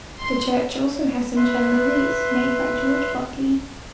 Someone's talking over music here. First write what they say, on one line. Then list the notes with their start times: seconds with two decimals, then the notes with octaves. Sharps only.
The church also has some chandeliers made by George Bodley.
0.20 C6
1.36 B4 E5 C6